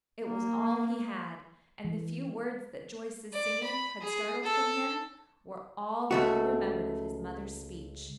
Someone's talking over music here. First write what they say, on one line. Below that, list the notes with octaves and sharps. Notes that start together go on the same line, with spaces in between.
It was all he had, and the few words that Joyce's singing had startled from him were all that he remembered of his mother's speech.
A#3
E3
D5
B5
G#4
A4
C#2 A3 F#4